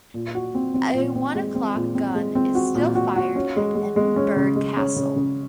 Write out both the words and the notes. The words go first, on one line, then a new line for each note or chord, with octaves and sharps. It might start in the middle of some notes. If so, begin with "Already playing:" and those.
A One O'Clock Gun is still fired at Edinburgh Castle.
A#2
F#4
C4
C4
A#2
C4
G#3
C4
A#2
C4
G#3
C4
F#4
A#2
F#4
F#4
C#4
G#3
G#3
G#3
C#4
C#3
G#3
C#4
C#3
C#3